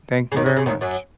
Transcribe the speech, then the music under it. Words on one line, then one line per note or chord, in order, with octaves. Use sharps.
Thank you very much.
C#3
D#2 D#3
C#3
C#3
D#2 D#3
F#2 F#3